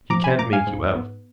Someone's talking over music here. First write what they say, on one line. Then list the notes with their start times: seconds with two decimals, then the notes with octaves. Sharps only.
He can't make you out.
0.10 F3 A#5 D6
0.24 G#5 B5
0.39 A#2 A#5 D6
0.53 F5 G#5
0.67 G#2
0.95 B3